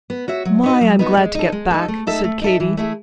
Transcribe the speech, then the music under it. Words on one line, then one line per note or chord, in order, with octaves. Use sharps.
"My! I'm glad to get back," said Katy.
B3
F#4 C#5 E5
F#3
B3 D#4 F#4
F#3
B3 D#4 F#4
G#3
D#4 A4
G#3
D#4 A4
A3
D#4 A4 E5
A3
D#4 A4 E5
E3
A3 E4 G#4